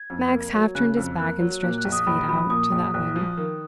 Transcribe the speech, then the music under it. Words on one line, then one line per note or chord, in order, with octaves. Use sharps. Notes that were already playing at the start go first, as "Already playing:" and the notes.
Max half turned his back and stretched his feet out to the oven.
Already playing: G#6
F2
A#3
F#3
C#3 F#6
F2
A#3 F#6
F#3
A#2 F#6
F#6
A#1
D#6
A#1 B5
F3 B5
A#2 D#6
A#1
A#1 F#6
F3
D#3